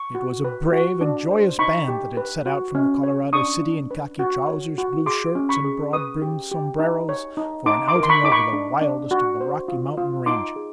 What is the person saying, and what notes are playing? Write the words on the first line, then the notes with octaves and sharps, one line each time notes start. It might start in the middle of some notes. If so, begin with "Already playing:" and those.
It was a brave and joyous band that had set out from the Colorado city in khaki trousers, blue shirts and broad-brimmed sombreros for an outing over the wildest of the Rocky Mountain ranges.
Already playing: C#6
F#4
B4
F#4
D4
C5
D#4 B5 C#6
G4
B4
F#4
C#4
C#5
D4 C#6 D#6
D4
B4
F#4
C#5
F#4
G#4 C6 D6
C#4
B5 C#6
G#4
B4 C#6 D#6
G4
G4
D#4
C#5
D#4
D#4 C6 D6
C6 D6
A#4
C6
B5 C#6
D#4 D6
B5 C#6
D4
D4
F#4
C5
F4
F4
D#4 C6 D6
G#4